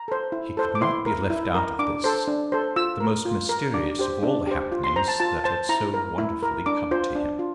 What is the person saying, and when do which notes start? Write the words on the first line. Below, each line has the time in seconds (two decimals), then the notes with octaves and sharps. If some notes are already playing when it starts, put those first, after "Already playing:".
He could not be left out of this, the most mysterious of all the happenings that had so wonderfully come to him.
Already playing: A#5
0.08 A4 C5
0.32 E4
0.57 A4 C5
0.75 D6
0.82 E4 C6
1.06 A#4
1.30 E4
1.55 A#4
1.79 D4 D6
2.04 A4 C5
2.27 D4
2.52 A4 C5
2.76 F4 E6
3.00 A#4
3.25 F4
3.49 A#4
3.74 D4 D6
3.99 G4 C5
4.23 D4
4.47 G4 C5
4.72 F4
4.84 C6
4.96 C5 A#5
5.08 A5
5.20 F4 A5
5.44 C5 A5
5.69 E4 A#5
5.94 A#4
6.18 E4
6.43 A#4
6.66 D4 D6
6.91 F4 C5
7.15 D4
7.39 F4